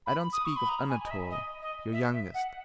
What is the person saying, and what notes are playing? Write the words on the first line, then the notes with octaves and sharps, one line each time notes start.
I don't speak of Anatole, your youngest.
B5
D#6
C#6
B5
A#5
G#5
D#5
E5
D#5
D#5
E5
E5
F#5